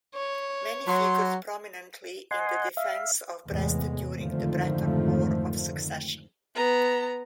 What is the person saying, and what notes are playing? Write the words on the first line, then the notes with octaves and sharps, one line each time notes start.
Manny figured prominently in the defense of Brest during the Breton War of Succession.
C#5
F#3 C6
D#5 F#5 G#5 C6
E5 F5
E2 A2 C3 G#3 B3
F2 G#2 D3 D#3 F3 A3
B3 A#5